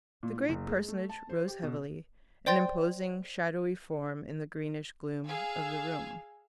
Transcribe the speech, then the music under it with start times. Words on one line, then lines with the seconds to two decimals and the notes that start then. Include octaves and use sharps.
The great personage rose heavily, an imposing shadowy form in the greenish gloom of the room.
0.23 A#2
0.36 A2
0.49 F#1
0.68 G#3
0.88 A3
1.09 A5
1.29 C5
1.48 G4
1.63 B2
2.46 C5 D5 G5 C6 G6 A6
5.26 G#4 F5 E6